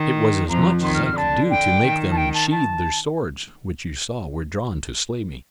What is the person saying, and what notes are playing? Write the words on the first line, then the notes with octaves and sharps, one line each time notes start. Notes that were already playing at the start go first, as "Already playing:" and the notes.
It was as much as I could do to make them sheath their swords, which you saw were drawn to slay me.
Already playing: D#3
F2 F3 A#5
D#3 C6
F6
F6
D3 A5
G5
D#3
A5
G5
A5
A5